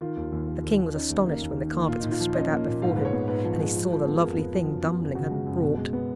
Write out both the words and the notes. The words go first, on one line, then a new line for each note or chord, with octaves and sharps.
The King was astonished when the carpets were spread out before him and he saw the lovely thing Dummling had brought.
D#3 F4
D#2
D#2
D#2
D#3
D#3
C#4 D#4
D#2
A#3
D#2
D#3
A#3
A#2 F4
A#2 D#4
F4
F3
C#4 D#5
A#3
A#2
G#2 F5
G#3 B4
C#5
B3
G#2 B4
F3
G#3
F3
F3
B3
G#4
F2 A#4
B3
F3
F#2
B3
F#2
C#3 F#4
G#3
F#2
B2
G#3
B3